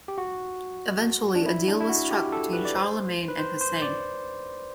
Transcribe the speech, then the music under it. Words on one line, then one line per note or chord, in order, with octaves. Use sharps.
Eventually a deal was struck between Charlemagne and Husayn.
G4
F#4
D4
E4
D4
E4
F#4
G4
A4
B4
D5
C5
B4
C5
C5
D5